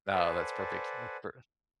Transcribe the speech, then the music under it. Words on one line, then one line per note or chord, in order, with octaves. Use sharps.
No, that's perfect, that's perfect
A4 B4 C5 D5 F#5 G#5